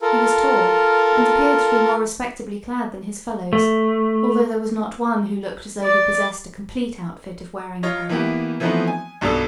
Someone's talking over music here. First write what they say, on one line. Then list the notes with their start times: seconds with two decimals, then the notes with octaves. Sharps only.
He was tall and appeared to be more respectably clad than his fellows, although there was not one who looked as though he possessed a complete outfit of wearing apparel.
0.01 F4 A4 A#4
3.53 A3
5.84 D5
7.83 F4 C#5 D#5
8.09 E3 A#3 B3 E4 G4
8.60 E3 F3 A3 B3 C4 D#4
8.87 G#5
9.21 B1 G2 B2 D4 A4 E6